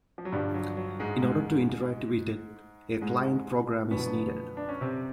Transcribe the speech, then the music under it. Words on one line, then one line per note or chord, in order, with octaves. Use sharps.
In order to interact with it, a client program is needed.
F3
F#3
G2 D3 F3 G3
F#3
F#3
G#2 G#3
G#2 G#3
G#2 G#3
F#2 B2 D3 F3 B3
D4
C#4
C3 C4